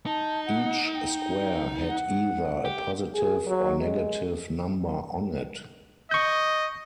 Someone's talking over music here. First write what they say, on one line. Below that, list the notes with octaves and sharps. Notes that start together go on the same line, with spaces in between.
Each square had either a positive or negative number on it.
D#4 A5
F#5
G5
F#5
G4
G#4
F#3
G#3
D#5 C#6 G6